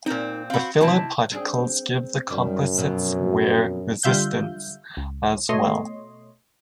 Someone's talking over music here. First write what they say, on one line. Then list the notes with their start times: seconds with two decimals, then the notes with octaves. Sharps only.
The filler particles give the composites wear resistance as well.
0.06 A#2 C4 D#4 A#4
0.50 C4 F#4 F5 B5
0.81 A2 C3 D#3 F#3 E4 A5
1.32 C4 D4 G#4
2.30 F#2 D#3 G3
2.77 F2 B2 F#3
4.03 D3 G3 F4 E5 F5 G6
4.97 C#2
5.49 B2 A3 C#5 D#5 C6